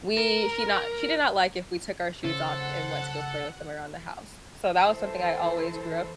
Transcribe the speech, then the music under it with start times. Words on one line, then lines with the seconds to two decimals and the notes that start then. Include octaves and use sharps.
we she not she did not like if we took our shoes off and went to go play with them around the house. So that was something I always grew up
0.17 A#4
2.24 C#3 A4 C5 F#5
4.85 E3 E4 A4 C5